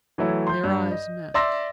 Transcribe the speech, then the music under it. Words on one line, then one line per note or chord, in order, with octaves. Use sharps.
Their eyes met.
E3 F#3 A3 E4 C#5
C6 G6
G2
D#5
D5 E5 C6 E6 A#6